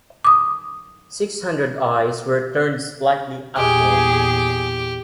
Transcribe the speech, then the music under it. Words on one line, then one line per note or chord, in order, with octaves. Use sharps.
Six hundred eyes were turned slightly upward.
D6 D#6
E2 A#2 G4 G#4